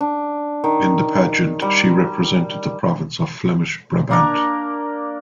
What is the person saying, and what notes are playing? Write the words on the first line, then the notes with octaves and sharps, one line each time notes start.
In the pageant she represented the province of Flemish Brabant.
D4
D#3
G3
A#3 D4 A#4